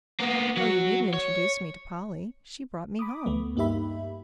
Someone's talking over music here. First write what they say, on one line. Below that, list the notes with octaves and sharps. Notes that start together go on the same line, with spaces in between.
"Oh, you needn't introduce me to Polly--she brought me home!"
A#3 B3
F#3 F#4
C#5
B5 D6 D#6
D2 A3 B3
G2 A#3 D#4 G4 E5 B5